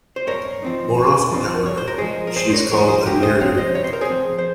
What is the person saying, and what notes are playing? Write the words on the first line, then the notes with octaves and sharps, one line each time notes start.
More often, however, she is called a Nereid.
C5
G2 A#4 C#5
F3 C4 D#4
G2
F3 C4 D#4
G2 C#5
C5
A#4
F3 G#3 G#4 C5
A#4
G2 G#4 C5
C5
A#4 C#5
F3 G#3 A#4 C#5
G#4 C5
C3 G4 A#4
G#4 C5
F3 C4 C#5 F5
C5 D#5
C3 C#5
C5
A#4
G#4 C5
F3 C4
C5